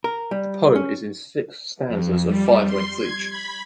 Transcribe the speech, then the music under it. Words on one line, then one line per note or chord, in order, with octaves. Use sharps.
The poem is in six stanzas of five lines each.
A#4
G3
C#4
F2
G3
C6
G#6
B5